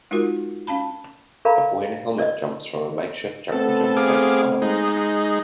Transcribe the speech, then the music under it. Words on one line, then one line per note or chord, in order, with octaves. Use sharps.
A boy in a helmet jumps from a makeshift junglegym made of tires.
G#3 D#4 F4 F#4 A#4
C#4 F5 A5 B5
A4 A#4 D5 F5 A#5 B5
D5 D#5
A3 B3 C4 A4
G#4 F5 D6
G#3 D#4